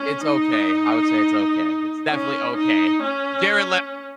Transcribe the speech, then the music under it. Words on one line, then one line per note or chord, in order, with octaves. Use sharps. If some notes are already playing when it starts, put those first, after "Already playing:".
it's okay, I would say it's okay, it's definitely okay. Jared Leto
Already playing: C#4
D#4
C#4
D#4
C#4